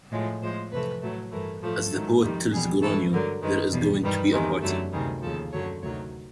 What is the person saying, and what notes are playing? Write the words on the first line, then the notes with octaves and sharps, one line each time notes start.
As the poet tells Geronio, there is going to be a party.
A2 F3 G#3
A2 F3 G#3 C5
F2 C3 E3 A3 B4
A2 F#3 A3
G2 E3 A3 A#4
A2 F3 A3 A4
G#2 D#3 F#3 A3
F2 C3 D#3 G3
E2 B2 G3 G#4
G#2 E3 A3 A4
G2 D3 F#3 A#4
F#2 D#3 G#3 B4
E2 B2 G3
G2 D#3 G3 B4
E2 C3 D#3 G#3
F#2 D3 F#3 A3
D2 C3 D#3 G3 G#4
D#2 C#3 F3 A4
F#2 D3 F#3 A3 C#5
D2 C3 D#3 F#3 C#5